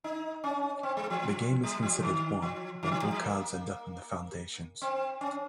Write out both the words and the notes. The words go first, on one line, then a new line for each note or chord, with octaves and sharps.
The game is considered won when all cards end up in the foundations.
D#4
C#4
C4
G#3
F3
G3
F3
D#3
F3
D#3
F3
G3
G3
A#3
C4
C#4